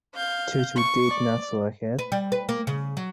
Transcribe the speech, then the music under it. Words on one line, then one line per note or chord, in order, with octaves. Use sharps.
Toto did not like it.
F5 G6
C#6
D5
B4
G3
B4
A#3
C#3
F#3